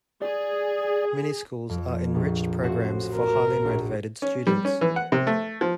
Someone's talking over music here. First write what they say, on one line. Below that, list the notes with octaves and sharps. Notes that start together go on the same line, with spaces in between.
Mini schools are enriched programs for highly motivated students.
G#4 D5
F2
A#1
A1 F#4 C5
A#4
A#1
C#4
G3
C#4
E3
F#5
C3
A3
F3